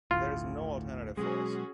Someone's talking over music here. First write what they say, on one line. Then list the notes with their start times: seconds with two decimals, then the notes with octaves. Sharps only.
There is no alternative for us.
0.11 G1 D2 A2 F4
1.17 B2 F#3 G#3 C#4 F#4 G#4